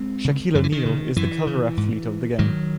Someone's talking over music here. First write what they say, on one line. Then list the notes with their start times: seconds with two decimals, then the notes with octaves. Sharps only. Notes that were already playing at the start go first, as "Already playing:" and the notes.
Shaquille O'Neal is the cover athlete of the game.
Already playing: G#3 C4
0.24 C#3
0.55 F#2 D#3
0.64 E3
0.72 D#3
0.86 C#3
1.16 F#2 E3
1.47 C#3
1.77 G#2
2.39 G#2 D#3 F#3